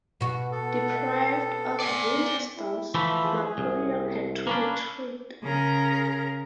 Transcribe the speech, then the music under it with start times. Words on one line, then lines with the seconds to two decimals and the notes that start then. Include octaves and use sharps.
Deprived of winter stores, Napoleon had to retreat.
0.21 B2 F#4
0.52 B3 A4
1.80 D5 G#5
2.56 E4
2.95 E3 F3 A3 B5
3.25 G#4
3.58 C2
4.47 A#3 C#4 D4 B5
5.43 C#3 A#4